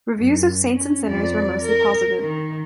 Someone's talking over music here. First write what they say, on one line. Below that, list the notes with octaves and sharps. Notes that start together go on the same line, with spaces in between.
Reviews of Saints and Sinners were mostly positive.
F#2
C#4
F2 D5
A#4
D#3